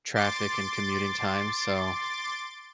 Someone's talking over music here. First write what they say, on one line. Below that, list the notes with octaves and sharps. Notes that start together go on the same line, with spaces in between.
traffic and commuting time, so
C6 D6 A6